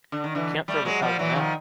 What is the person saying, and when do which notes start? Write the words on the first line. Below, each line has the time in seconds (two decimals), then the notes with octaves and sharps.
You can’t throw the towel now!
0.12 D3
0.24 D#3
0.35 D3 E3
0.68 G3 A3
0.85 F#3 G#3
1.02 F3 G3
1.19 E3 F#3
1.36 D#3 F3